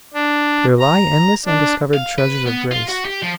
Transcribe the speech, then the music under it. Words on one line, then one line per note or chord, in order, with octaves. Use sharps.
There lie endless undiscovered treasures of grace.
D4
A#5
D4
F5
B4
B3
F4
F#4
G4
F3